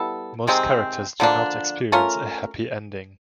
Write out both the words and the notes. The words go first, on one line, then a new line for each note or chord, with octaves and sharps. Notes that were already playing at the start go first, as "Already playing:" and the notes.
Most characters do not experience a 'happy ending'.
Already playing: G3 B3 E4 A4
C3 D#3 G#3 C4
D3 F3 A#3 D4
A3 C#4 F4 A#4